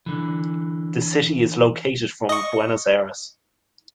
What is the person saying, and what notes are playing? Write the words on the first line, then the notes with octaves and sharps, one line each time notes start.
The city is located from Buenos Aires.
D3 E3
D#5 C#6